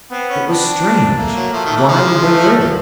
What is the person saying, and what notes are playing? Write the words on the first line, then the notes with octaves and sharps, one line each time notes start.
It was strange--why did they live?
B3 C4
C#4
C4 D4
A3 A#3
F#3
F3 A3
D#3
E3
F3 G#3
A3
F#3